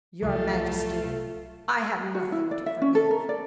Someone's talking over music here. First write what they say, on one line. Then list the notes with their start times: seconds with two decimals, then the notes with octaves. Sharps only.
"Your majesty, I have nothing to forgive."
0.22 C2 F3 F#3 A3 F4
2.15 F#4
2.32 E4
2.51 D5
2.66 E5
2.82 C#4
2.95 A4
3.11 A#4
3.29 D5